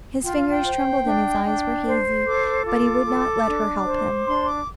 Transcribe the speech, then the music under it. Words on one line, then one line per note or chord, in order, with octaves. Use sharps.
His fingers trembled and his eyes were hazy, but he would not let her help him.
F4 G5
F5
G5
C5
D4
D4
C5
A4 D6
F4 D6
A4
D4
C5
D4 C6
D6